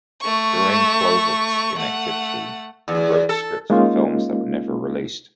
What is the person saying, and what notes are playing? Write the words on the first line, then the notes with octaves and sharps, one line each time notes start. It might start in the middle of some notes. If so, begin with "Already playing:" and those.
During Clouzot's inactivity, he wrote scripts for films that were never released.
A3 C#6
A3 F#5
E2
A4
G#3 A#3 C#4 D#4 F4